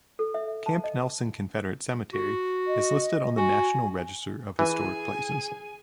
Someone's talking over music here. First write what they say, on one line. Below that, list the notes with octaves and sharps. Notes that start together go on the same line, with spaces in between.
Camp Nelson Confederate Cemetery is listed on the National Register of Historic Places.
A4
E5
A5
D#5
F#4
D#5
F#4 G#5
E3 G#4 G#5